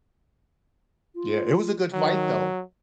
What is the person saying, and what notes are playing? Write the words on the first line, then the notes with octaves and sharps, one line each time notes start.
Yeah, it was a good fight, though,
F4
D#3 F#3